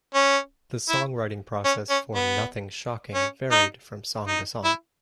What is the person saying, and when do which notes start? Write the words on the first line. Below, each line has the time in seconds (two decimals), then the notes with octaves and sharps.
The songwriting process for "Nothing's Shocking" varied from song to song.
0.14 C#4
0.89 E4
1.64 C#4
1.89 C#4
2.15 B3
3.14 C#4
3.51 D#4
4.27 D#4
4.64 E4